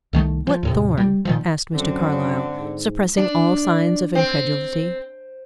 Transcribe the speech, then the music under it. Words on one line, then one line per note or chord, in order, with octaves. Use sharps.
"What Thorn?" asked Mr. Carlyle, suppressing all signs of incredulity.
C2 D#3 A3
F3
D#2 A2 C3
G3
A#2 D#3 F3
F#2 D3 C4
G#2
D4
C4